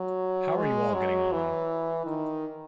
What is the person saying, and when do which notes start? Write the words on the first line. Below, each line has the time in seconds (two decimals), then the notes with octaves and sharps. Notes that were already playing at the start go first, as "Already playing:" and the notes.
How are you all getting on?
Already playing: F#3
0.57 G#3
0.94 F#3
1.32 E3
2.06 D#3